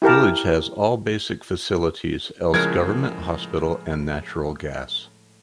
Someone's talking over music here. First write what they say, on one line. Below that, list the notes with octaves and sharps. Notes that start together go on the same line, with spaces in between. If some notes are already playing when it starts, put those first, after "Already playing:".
Village has all basic facilities else government hospital and natural gas.
E4 G4 A#4 A5
A2 C#3 F3 G#3 G#4 A#4 G#6